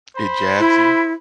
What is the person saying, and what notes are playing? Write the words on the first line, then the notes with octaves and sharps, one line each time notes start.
It jabs you.
C5 B5
E4